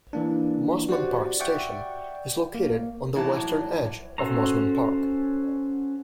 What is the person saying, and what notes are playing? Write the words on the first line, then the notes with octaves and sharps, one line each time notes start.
Mosman Park station is located on the western edge of Mosman Park.
E3 A#3 D4
F#4 G4 C5 D5 F#5
D5 E5 F#5 G5 C#6
A#3
A2 E3 F#3 A5
C#4 F#4 A4 C5 A#5